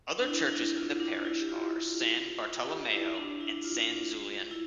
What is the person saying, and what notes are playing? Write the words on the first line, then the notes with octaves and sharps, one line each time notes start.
Other churches in the parish are San Bartolomeo and San Zulian.
D4
E4
D4
E4
F4
D4
E4
G4
F4
G4
E4
D4
E4
F4
E4